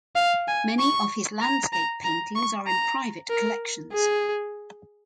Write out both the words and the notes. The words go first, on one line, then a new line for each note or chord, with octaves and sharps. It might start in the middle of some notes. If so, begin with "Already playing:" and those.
Many of his landscape paintings are in private collections.
F5
G#5
C#6
A#5
A#5
A#5
C#6
A#5
A#4
G#4